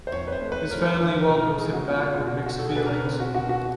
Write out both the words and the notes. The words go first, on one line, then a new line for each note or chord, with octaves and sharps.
His family welcomes him back with mixed feelings.
C5
F2 C#5
B4
C5
A3
B4
F3 A#4
B4
D3
A#4
B2 A#4
A4
G#3 G#4
F#4
B3 F4
F4
B2
F#4
B2 F#4
A4
G#4
B2 B4
A#4
C4 B4
F#4
B2 F#4
F#4